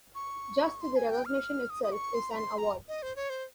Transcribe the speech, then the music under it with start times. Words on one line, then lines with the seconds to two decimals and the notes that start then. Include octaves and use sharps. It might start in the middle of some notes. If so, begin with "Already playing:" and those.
Just the recognition itself is an award.
0.15 C#6
0.81 C6
0.96 G#5
1.11 G5
1.25 F6
1.70 D#6
1.84 D#6
1.92 C#6
2.14 C6
2.30 A#5
2.36 C6
2.58 A#5
2.88 D#5
3.02 C5
3.16 C#5
3.30 C5